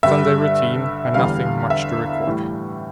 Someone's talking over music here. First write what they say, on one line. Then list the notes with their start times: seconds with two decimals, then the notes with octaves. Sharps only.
Sunday routine and nothing much to record.
0.03 G2 D3 G3 E5
1.14 E2 D3 G3 F5
1.70 E5
2.27 A2 E3 G3